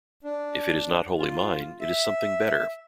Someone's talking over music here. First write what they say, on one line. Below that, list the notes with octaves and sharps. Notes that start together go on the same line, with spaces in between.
If it is not wholly mine it is something better.
D4
F4
E5